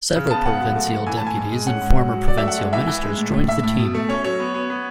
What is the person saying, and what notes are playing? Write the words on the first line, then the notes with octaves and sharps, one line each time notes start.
Several provincial deputies and former provincial ministers joined the team.
C#3
B3 A5
C#3 F#5
F#2
A3
A3
E3 G#5
A2 A5
G#5
G#2
G#3
C#4 F#5
G#2
F#3
F#3
F#3 D5
A3 E5
F#5
G#3
E3 E5
E3
G#3
A2
A2
A2 E5
A2
B2
A3
C#4 C#5
F#3 C#5
B3
B3
B3